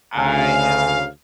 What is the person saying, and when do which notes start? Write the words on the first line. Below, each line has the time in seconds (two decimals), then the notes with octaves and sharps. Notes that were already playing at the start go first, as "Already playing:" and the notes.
I am
0.16 D2 C#3 F5 G#5